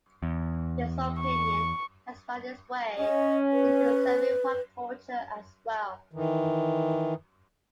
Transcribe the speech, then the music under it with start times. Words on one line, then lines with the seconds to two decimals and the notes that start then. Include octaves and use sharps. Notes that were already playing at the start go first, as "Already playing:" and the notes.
This opinion has found its way into Serbian pop culture as well.
0.23 E2
1.19 C#6
2.99 C#4 D#5
3.53 B4
6.13 D#3 E3